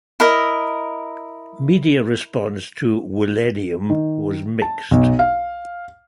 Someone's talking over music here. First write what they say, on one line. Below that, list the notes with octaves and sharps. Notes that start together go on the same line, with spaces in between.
Media response to "Willennium" was mixed.
E4 A#4 D#5
D#3
A5
B1
F5